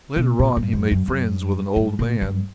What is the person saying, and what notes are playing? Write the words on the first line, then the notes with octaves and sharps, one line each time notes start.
Later on he made friends with an old man.
B2
A#2
G2
F#2
F#2
F#2
G2
A#2
G2